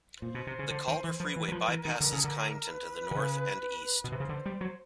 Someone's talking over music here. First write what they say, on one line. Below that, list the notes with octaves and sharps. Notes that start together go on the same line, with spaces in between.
The Calder Freeway bypasses Kyneton to the north and east.
A#2 C5
B2
C3
C#3
D3
D#3
E3
F3 B4
E3
F#3
F3
E3 A#4
D#3
D3
C#3
D3
B4
D3
C#3
B2
C3 C5
C#3
D3
G3
F#3